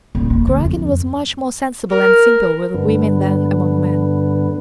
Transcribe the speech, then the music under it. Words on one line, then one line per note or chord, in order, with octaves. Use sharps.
Kuragin was much more sensible and simple with women than among men.
D#1
D#2
D2
F2
A#4
G2 D3 B3